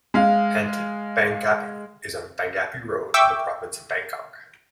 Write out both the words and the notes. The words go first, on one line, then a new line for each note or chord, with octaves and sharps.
Pantip Bangkapi is on Bangkapi Road in the province of Bangkok.
G#3 F5
E5 G5 C#6 D6 E6 G6